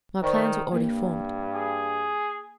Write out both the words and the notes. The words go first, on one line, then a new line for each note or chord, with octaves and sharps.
My plans were already formed.
D#3 C5 D5 C#6
G2 A#3 A#4
G#4